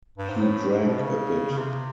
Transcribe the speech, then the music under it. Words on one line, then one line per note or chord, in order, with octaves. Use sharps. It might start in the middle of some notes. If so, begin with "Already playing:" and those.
He drank a bit.
G2
G#2
A2
G#2
B2
C#3
C#3
C3